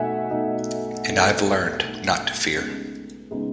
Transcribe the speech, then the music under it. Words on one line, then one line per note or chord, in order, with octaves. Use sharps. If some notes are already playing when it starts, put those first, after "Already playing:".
And I have learned not to fear.
Already playing: B2 A3 D#4 E5 F#5 G#5
B2 A3 D#4
B2 A3 D#4
B2 A3 D#4
C#3 G#3 B3 D#4
C#3 G#3 B3 D#4